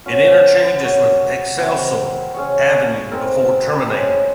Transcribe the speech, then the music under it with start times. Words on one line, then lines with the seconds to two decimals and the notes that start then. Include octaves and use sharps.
It interchanges with Excelsior Avenue before terminating.
0.06 C#4 F#4 C5 F5
0.81 F#3 C#4 F#4
1.58 C4 F#4 A#4 D#5
2.34 C#4 G#4 C#5
3.11 G#3 C4 D#4 A#4
3.88 G#3 C#4 G#4